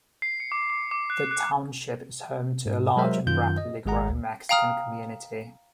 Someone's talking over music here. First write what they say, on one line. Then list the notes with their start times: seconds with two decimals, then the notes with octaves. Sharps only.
The township is home to a large and rapidly growing Mexican community.
0.22 C7
0.40 C#7
0.52 D6
0.70 D6
0.91 D6
1.10 F#6
1.31 F#6
2.66 G#2
2.96 F#3 G#3 A#4 C5 E5
3.27 F#2 D#3 F4 G6
3.57 D#5
3.86 G#1 G#3 G#4 F#5 A#5
4.09 D2
4.49 F5 G5 A#5 D#6 F6